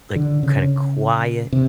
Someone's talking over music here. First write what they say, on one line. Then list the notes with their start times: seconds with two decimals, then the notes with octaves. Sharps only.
like, kinda quiet.
0.16 D3
0.43 C#3
1.52 C3